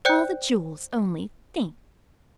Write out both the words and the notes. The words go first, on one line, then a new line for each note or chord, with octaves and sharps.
All the Jewels, only think!
C5 D5 G5 F#6 G6 C#7